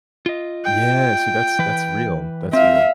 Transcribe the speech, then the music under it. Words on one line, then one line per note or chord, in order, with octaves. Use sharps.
Yeah, see, that's that's real, that's real.
F4 D#5
G5
E3 B4
C4 E5 F5